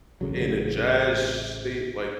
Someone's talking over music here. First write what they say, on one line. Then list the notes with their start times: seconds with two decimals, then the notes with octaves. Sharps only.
in a jazz state? Like,
0.21 A1 C#3 F#3